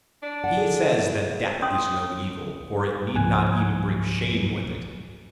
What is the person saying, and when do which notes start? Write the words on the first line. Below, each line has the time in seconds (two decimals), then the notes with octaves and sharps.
He says that Death is no evil; for it need not even bring shame with it.
0.23 D4
0.44 F#5
0.57 G#4 A4
1.62 C#4 C6 D#6
3.14 C#2 G#2 F3 G#5 F#6 G#6